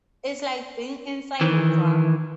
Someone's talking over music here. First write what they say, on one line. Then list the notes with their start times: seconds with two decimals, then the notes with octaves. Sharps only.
It's like being inside a drum.
1.41 D#3 E3